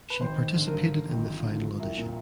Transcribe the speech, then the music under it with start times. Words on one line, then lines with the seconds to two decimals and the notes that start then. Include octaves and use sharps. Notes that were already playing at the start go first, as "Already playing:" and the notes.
She participated in the final audition.
0.10 B4
0.21 G#1 C5
0.38 G#1
0.56 D3
0.67 A#4
0.73 G2
0.92 D3
1.08 G#1
1.26 F3
1.44 D3
1.61 F3
1.80 C2
1.97 A#2